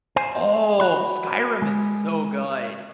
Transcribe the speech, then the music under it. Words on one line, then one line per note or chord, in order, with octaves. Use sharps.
Oh, Skyrim is so good.
C5 G#5
F#4 B5
G#3